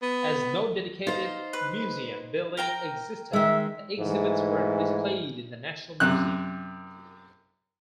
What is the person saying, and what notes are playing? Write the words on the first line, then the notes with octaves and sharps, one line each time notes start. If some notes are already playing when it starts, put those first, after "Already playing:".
As no dedicated museum building existed, the exhibits were displayed in the National Museum.
B3
D#4 F4 C5
B4
A#4 G5 A#5
D#3 G#3 E5
G#2 E3 A3
F#2 C3 F#6